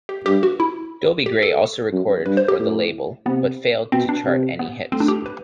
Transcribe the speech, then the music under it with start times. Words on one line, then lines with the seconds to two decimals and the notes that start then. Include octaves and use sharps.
Dobie Gray also recorded for the label but failed to chart any hits.
0.09 G4
0.26 G2 G4
0.43 F#4
0.60 E4
1.26 G4
1.43 A4
1.92 F#2
2.26 G2 B4
2.37 C5
2.48 G4
2.59 A2
3.26 C3 B3
3.92 B2 C4
4.09 D4
4.25 C3
4.59 B3
4.92 A3 C4
5.00 D4
5.08 G4
5.26 B4